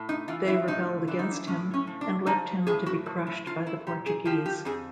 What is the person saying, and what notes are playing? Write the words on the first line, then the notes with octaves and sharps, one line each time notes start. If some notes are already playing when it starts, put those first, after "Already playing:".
They rebelled against him and left him to be crushed by the Portuguese.
Already playing: A2
D#4
E3 F4
E4
A2 D#4
E3 D4
D#4
D4
A2 C#4
C#4
F3
D4
F3 D#4
A2 G#4
F#4
F3
E4
F3 F4
E4
A#2 G4
G#4
F3 G4
G4
F2 G#4